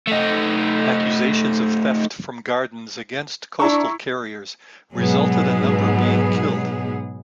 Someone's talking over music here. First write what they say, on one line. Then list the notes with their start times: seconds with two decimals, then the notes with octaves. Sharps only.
Accusations of theft from gardens against coastal carriers resulted a number being killed.
0.07 A3 D#4
3.60 D4 E4 A#5 C#6
4.96 G#2 B2 F#3 B3 G#4